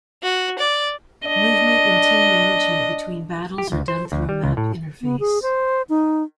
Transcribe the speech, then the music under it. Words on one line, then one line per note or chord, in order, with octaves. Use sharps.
Movement and team management between battles are done through a map interface.
F#4
D5
D4 D#5
G4
D2
C5
D2
G3
C#2
A2
B3
G#4
C5
D#4